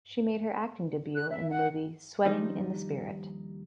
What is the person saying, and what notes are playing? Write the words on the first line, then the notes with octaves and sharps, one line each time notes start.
She made her acting debut in the movie "Sweating in the Spirit".
F#6
E5
F#5
D#2 F3 G3 D4 D#4